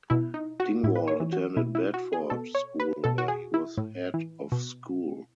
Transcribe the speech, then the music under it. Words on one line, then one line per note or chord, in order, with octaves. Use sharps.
Dingwall attended Bedford School where he was Head of School.
B2 E4
D#4
F#4
A2 E4
B4
C#5
E3
F#4
B2 E4
E4
F#4
G#4
B2 A4
C#5
B4
B2 A4
F#4
G#4
E4
A2
E3
B2